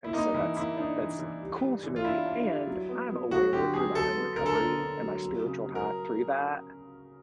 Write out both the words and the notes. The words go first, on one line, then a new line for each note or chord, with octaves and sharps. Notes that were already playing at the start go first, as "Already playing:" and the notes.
and so that's that's cool to me and I'm aware through my own recovery and my spiritual path through that
E4
A#3 D#4
E3 E4
A#3 E4
D4 D#4
E3
E3
G3
G3
E3
F4
D4 E4
D4
G3
F#3
B3
B3
F#3 F#4
D3 G4
F#3 G#4
F#3 A4
B3
D3 A#4
A4
D3 A#4
D3
F#3
F#3
C#3
F#3
A#4